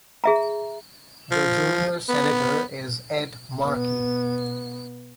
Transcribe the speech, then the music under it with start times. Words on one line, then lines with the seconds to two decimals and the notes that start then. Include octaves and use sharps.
The junior senator is Ed Markey.
0.24 G#4 E5 A#5
1.31 F3
2.09 B3
3.65 B2 B3